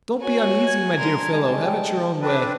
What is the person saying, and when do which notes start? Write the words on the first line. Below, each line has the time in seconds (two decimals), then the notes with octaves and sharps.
Don't be uneasy, my dear fellow, have it your own way.
0.21 F#4 C#5 G#5
0.67 G#6
0.98 D3 A#4 C6
1.30 G3 G#3 A5
1.64 G5
2.21 C4 D4 B4